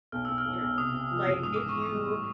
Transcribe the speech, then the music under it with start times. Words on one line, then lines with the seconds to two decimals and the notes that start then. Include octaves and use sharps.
you know? Like, if you,
0.12 B1 F6
0.25 B1 E6
0.38 F6
0.45 B1
0.61 B1
0.78 C3 D#6
0.94 C3
1.11 F3
1.26 F#1
1.43 G#2 D#6
1.56 E3 D6
1.69 C#6
1.76 E3
1.82 D6
1.92 G3
2.09 A2